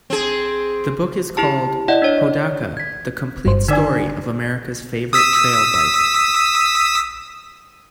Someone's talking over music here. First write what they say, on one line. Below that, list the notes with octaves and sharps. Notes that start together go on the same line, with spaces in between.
The book is called "Hodaka: The Complete Story of America's Favorite Trailbike".
C4 G#4
E4 G4 A5
E4 D5 D#5 F#5
D4 C#5
G#6 B6
G1 G2 C5
D3 D4 D#4 A#4 D5 G#5
D#6 E6 B6